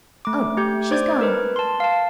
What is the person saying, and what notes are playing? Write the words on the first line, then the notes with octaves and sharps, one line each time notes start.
"Oh! she's gone!"
A3 D6
A3 G4 G6
C5 D5 D6 G#6
A#4 B4
A5 C6
F5 A5